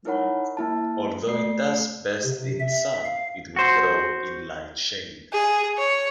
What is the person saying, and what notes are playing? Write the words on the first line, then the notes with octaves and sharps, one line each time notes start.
Although it does best in sun, it will grow in light shade.
D#4 E4 A#4 C#5 F#5 B5
A#3 E4 A5
A3 D5 C7
C3
E5
F5
F#4 C5
G#4
C#5